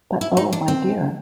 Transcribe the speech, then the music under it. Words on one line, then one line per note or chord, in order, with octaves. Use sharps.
But oh, my dear!
E4
D#4
D4
C4